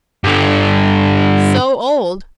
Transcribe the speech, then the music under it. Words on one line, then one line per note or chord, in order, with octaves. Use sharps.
So old!
G2 D3